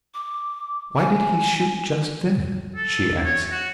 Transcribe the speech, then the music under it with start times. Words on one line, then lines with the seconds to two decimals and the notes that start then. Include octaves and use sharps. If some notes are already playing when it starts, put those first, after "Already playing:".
"Why did he shoot just then?" she asked.
0.14 D6
0.98 G#5
2.75 A4
3.24 C#5
3.51 F#4